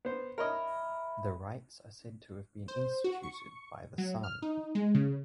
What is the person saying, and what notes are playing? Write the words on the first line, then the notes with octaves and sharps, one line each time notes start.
The rites are said to have been instituted by the Sun.
B3 C5
A#4 C#5 D#5 E5 B5
C5
F#4
C#6
F#3
F6
D#4
G#3
C#3